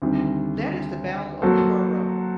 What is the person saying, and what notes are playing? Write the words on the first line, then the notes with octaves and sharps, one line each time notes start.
That is the battle of Toro.
D2 C3 D#3 G3
F#3 A#3 F#4 A4 C5